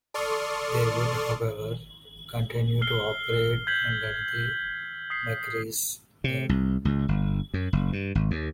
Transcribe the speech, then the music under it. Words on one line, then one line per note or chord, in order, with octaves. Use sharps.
They would however, continue to operate under the McRae's name.
A4 D5 C6 C#6 D#6 F6
E6 F6 C7 G7
G6 G#6 B6 F#7
D#6 B6 C7
C3
C2
C#2
G1
F#2
F#1
G2
G#1
D#2